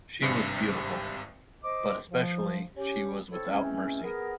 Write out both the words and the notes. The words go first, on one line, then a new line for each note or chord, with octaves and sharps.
She was beautiful — but especially she was without mercy.
G#1 G2 C3 C7 C#7
C5 D#5 D6
F3
C#4 G4
C4 E4 A4 C#5
E3 G#3 A3 C4 C#4
B3 G#4 A#4